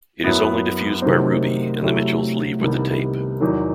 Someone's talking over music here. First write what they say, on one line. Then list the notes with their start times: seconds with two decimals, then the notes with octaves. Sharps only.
It is only diffused by Ruby, and the Mitchells leave with the tape.
0.24 F#2 F#3 B3 E4
1.02 C3 D#3 F#3 A3 C4
1.82 C3 F#3 A3 E4 G4
2.61 C2 C3 D#3 G3 B3
3.40 E2 D#3 F#3